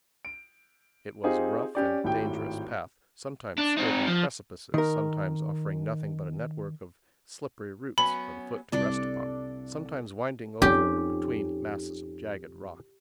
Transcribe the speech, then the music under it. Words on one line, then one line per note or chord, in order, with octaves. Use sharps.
It was a rough and dangerous path,--sometimes skirting precipices,--sometimes offering nothing but a network of slippery roots for the foot to rest upon,--sometimes winding over or between masses of jagged rock.
D7
C4 D#4 F4 G4 G#4 C5
C#4 G4 D5
G#1 A2 G4 G5
D4
C4 D#4
F3
D#3 A#4
F#3 B3 C#4 B5
C2 D4 A4 D5
F2 C#4 D#4 G4